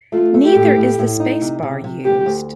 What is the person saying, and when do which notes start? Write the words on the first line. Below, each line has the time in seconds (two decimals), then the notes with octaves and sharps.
Neither is the spacebar used.
0.12 A3 F4
0.34 A3
0.44 G4
0.55 A2
0.76 A2
0.99 A2
1.20 D#4
1.41 C3
1.63 C3
1.84 C3
2.05 D2 G4
2.26 D2